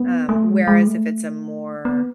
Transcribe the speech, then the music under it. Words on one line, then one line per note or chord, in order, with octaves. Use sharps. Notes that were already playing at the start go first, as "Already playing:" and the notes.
um, whereas if it's a more,
Already playing: B3
A3
G#3
G#3
A3
B3